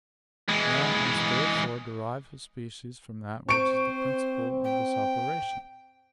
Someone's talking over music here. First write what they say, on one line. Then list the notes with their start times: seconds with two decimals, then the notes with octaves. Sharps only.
Man must therefore derive his species from that which is the principle of this operation.
0.49 E3 G#3
3.49 C4 C5 C#6 D7
4.64 G5